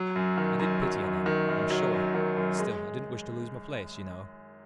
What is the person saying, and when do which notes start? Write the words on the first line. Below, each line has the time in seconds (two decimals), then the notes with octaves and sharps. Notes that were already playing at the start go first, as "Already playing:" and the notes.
I did pity her then, I'm sure: still I didn't wish to lose my place, you know.
Already playing: F#3
0.16 F#2
0.38 D#3
0.59 F#2
0.82 F#3
1.04 F#2
1.26 D#3
1.49 F#2
1.70 F#3
1.92 F#2
2.15 D#3
2.37 F#2
2.59 G#3